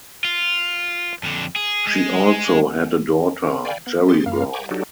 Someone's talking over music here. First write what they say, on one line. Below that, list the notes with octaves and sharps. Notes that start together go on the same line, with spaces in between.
She also had a daughter, Jeri Brown.
F4
F2 D3
G#4
G#3
D5 F5 G5 G#5 B5
B3
G4 G#4 C6 A6
F#2 A#3 F5
G5 G#5 A#5 B5 C#6 D6
F#3 D4 D#4 F#4 G4 A4